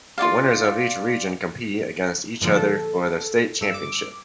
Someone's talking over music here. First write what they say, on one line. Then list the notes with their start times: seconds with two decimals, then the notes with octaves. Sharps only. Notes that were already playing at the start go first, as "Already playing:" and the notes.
The winners of each region compete against each other for the state championship.
0.18 F4 F#4 D5 F5
2.41 G2 A#2 D3 F3
2.55 A4
3.61 G2 E6
3.74 D6